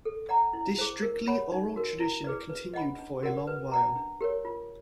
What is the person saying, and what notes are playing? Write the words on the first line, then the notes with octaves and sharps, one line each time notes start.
This strictly oral tradition continued for a long while.
A4
D5 F#5 A#5
E4
G#4 C5
A#4
C#5 F#5 B5
D#4
F#4 A#4
E4
G#4 B4 D5
B4
D#5 F#5 B5
D4
F#4 A#4 D5 F#5
B4
D5 F#5 A#5
D4
G4 A#4 C#5
F4